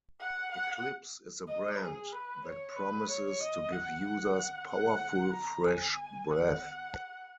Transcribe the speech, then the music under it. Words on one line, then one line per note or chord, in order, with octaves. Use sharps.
Eclipse is a brand that promises to give users "powerful fresh breath".
F#5
F#5
D#5
G#4
B4
C#5
B4
C#5
D#5
F#5
F#5
F#5
A#5
G#5
F#5